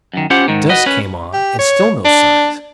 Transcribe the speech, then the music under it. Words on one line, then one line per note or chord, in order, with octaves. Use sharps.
Dusk came on, and still no signs.
F#2 D#3
C#4 E4 F4 G4 C5 F#5
G#2 D#3
F#4 B4 D#5
C#4 B4
G4
C#5
D4